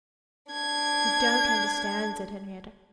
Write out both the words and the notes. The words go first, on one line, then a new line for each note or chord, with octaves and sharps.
"You don't understand," said Henriette.
D4 G#6